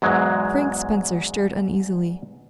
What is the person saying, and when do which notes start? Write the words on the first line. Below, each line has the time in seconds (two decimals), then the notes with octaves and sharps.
Frank Spencer stirred uneasily.
0.02 E2 G#2 F#3 G#3